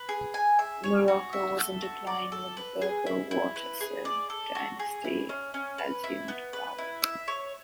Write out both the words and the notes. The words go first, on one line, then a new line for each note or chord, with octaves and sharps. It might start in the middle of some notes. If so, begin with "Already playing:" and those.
Morocco was in decline when the Berber Wattasid dynasty assumed power.
Already playing: B4
G#4
G#5
E5
C#5
F#4
E5
A4
F#4
D5
A4
B4
G#4
E4
E4
B4
G#4
D5
A4
F#4
G#4
E4
C#4
C#4
B4
E4
B3
B4
E4
E5
C#5